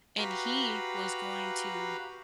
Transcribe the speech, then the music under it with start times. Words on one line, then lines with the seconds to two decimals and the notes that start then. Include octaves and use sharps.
and he was going to
0.18 F#4 G4 B4 F5 A#5 B5